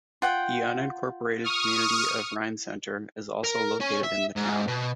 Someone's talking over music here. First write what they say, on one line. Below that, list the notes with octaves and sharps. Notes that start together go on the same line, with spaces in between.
The unincorporated community of Rhine Center is also located in the town.
F4 F#5 G5
C#6 D#6 F6
A#4
C#4
E5
G#2
B2